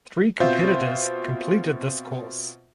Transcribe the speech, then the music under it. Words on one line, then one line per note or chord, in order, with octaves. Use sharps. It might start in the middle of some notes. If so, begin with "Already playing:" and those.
Three competitors completed this course.
B2 C4 F4 C5 E5 G6